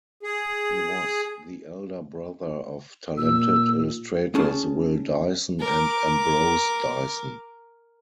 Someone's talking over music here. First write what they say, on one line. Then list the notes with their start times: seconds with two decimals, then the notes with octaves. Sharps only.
He was the elder brother of talented illustrators Will Dyson and Ambrose Dyson.
0.23 G#4
3.17 A#2 E6
4.35 C#4 G#4 A5
5.59 A#4 D6